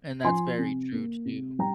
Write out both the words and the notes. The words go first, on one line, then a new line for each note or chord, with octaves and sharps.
And that's very true too.
F3 G#5 C6
C3
A#3
C3
G3 G5 A#5